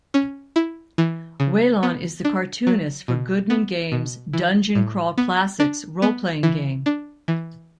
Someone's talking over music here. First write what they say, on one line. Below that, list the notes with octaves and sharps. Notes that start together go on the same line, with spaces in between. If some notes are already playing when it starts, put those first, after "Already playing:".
Whelon is the cartoonist for Goodman Game's 'Dungeon Crawl Classics' Role Playing Game.
C#4
E4
E3
C#3
B3
D4
F#3
B2
B3
B2
E3
A2
B3
D4
B3
E3
D4
E3